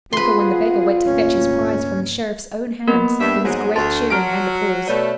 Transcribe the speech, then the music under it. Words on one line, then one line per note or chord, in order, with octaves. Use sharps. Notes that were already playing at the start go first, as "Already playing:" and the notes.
Therefore, when the beggar went to fetch his prize from the Sheriff's own hands, there was great cheering and applause.
C4 F4 G#4 B4 F#5 C6
G#1 D2 A#2 C#4
A#3 B3 A#4
G2 E5
G#2 F#3 G#3
D2 A5 C6 A6
F#3 F6 D7
B2 A3 C#5 D5